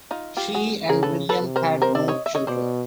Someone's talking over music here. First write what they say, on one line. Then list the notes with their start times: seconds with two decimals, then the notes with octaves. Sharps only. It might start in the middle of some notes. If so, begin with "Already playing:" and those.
She and William had no children.
0.11 D#4 F4
0.37 F4 G4
0.54 F#4 G#4
0.89 C#3 G#4 A#4
1.03 A4 B4
1.29 A4 B4
1.42 C3
1.56 A#4 C5
1.82 A#4 C5
1.95 D5 E5
2.08 C#5 D#5
2.26 E5
2.35 C#5 D#5
2.47 B2 C5 D5